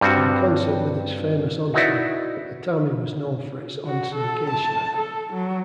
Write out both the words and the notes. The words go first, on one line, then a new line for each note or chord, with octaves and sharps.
In concert with its famous onsen, Atami was known for its onsen geisha.
G2 G3 C4 F#4
D#4 E4 F#4 B4 D5 E5
F#4
A4
A5
A4
F#3